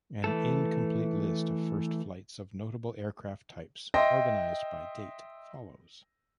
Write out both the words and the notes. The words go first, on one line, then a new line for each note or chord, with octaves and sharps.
An incomplete list of first flights of notable aircraft types, organized by date, follows.
E3 A3 A4
D#5 E5 G5 C6 A#6